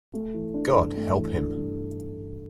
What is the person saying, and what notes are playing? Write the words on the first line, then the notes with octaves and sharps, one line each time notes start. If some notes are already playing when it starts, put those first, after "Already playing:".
God help him!
A3
E3
D4
G2
A3
E3
D4
G2